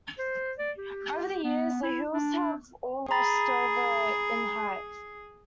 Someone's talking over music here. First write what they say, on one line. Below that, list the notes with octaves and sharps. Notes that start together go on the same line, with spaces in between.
Over the years, the Hills have all lost over in height.
C5
D5
G4
B3
E4
D4
G#4 A#5 B5 A6